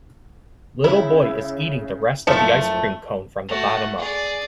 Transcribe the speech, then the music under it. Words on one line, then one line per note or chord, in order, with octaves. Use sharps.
Little boy is eating the rest of the ice cream cone from the bottom up.
C#3 E4
F#1 F3 A3 A5 C#7
A3 F#4
G#4 D5